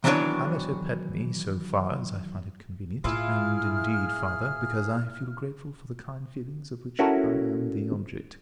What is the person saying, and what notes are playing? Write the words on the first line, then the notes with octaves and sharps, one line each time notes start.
I let her pet me, so far as I find it convenient, and, indeed, farther, because I feel grateful for the kind feelings of which I am the object.
D#3 E3 F#3 B3 D4 C#5
A2 E4 F4 G#4 F6
C#4 E4 F#4 A4 A#4